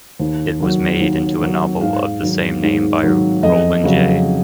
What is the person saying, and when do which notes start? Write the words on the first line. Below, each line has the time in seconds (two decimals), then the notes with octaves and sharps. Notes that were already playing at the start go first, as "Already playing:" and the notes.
It was made into a novel of the same name by Roland J.
0.20 D#2
0.60 D#3 F#3
1.00 D#2
1.41 D#3 F#3
1.81 G#2 F5
2.22 D#3 F#3
2.62 G#2
3.03 D#3 F#3
3.43 F2 D#5
3.84 C#3 F#3